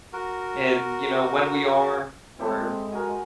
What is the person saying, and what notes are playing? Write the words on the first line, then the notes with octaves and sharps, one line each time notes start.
And, you know, when we are, we're
F#4 A#4
G#3 C4 E4 G4 A4
F#4 A#4 G#5